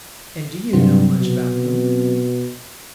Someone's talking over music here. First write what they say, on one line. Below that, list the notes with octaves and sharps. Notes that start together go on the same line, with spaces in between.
"And do you know much about them?"
G2 C3 F#3 C4
B2